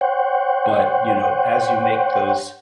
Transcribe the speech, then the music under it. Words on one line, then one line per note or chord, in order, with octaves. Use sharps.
But, you know, as you make those,
C5 C#5 F#5 G5